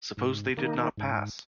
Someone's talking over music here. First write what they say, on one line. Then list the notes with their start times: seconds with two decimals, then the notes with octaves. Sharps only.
Suppose they did not pass!
0.17 G#2
0.57 D#3 A#3 D#4
0.97 G#2